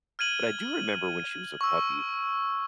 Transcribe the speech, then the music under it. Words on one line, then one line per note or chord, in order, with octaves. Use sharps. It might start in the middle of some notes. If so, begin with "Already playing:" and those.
but I do remember when she was a puppy,
F6 G#6 D#7 F#7
C#6 E6